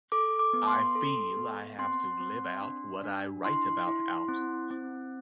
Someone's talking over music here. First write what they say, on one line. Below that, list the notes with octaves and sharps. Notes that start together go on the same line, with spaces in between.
I feel I have to live out what I write about out.
A4 D6
D6
B3
C6
A4
B3
C4 C6
C4
D4
D4
E4 C6
E4
C4
C4